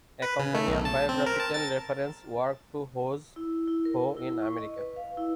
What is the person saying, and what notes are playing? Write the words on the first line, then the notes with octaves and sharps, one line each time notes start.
A companion biographical reference work to Who's Who in America.
B4
C#3
A3
B1
A5
C4
A#4
A5
A6
E4
E4
A#4
E4
C#6
D#5
B4
F5
E4